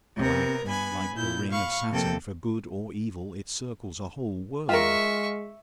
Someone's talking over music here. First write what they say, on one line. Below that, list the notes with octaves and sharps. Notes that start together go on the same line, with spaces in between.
Alack! like the ring of Saturn, for good or evil, it circles a whole world.
C3 B3 A#4
G2 B3 G#5 B5
A#2 E4 G6
F5 B5 C#6
F2 C3 A#3 A4 G5
G#3 F4 A#4 E5 C#6